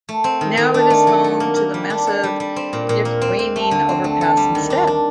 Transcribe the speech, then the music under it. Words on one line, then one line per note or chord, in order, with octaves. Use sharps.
Now, it is home to the massive Yuquanying Overpass instead.
A3
C4
D#3
D#3
D4
A3
F#3
A4
A#3
A#3
G3
D4
A4
G3
G3
C4
A#2
A#2
A#3
C4
C4
A3
D3
C4
A3
A4
G3
D#3
D4
D4